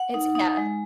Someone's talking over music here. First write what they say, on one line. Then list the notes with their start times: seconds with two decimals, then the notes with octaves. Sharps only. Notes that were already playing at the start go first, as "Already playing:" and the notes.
It's yeah.
Already playing: F#5
0.14 D#4
0.35 D#4
0.57 G#3